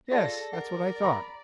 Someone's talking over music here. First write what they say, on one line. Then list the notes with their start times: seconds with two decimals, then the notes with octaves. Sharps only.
Yes: that's what I thought....
0.11 F4 G#4 A4 D5 A5 A#6
0.53 A#4 D5 F#5
1.03 A#5 B5 A#6